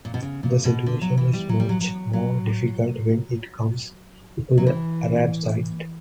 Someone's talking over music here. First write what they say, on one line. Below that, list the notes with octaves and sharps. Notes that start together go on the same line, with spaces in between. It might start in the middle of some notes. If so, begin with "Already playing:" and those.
The situation is much more difficult when it comes to the Arab side.
A#2
B2
C#3
A#2
B2
D3
F#3
E3
G3
F#3
G3
F#3
F#3
F#3
F#3
E3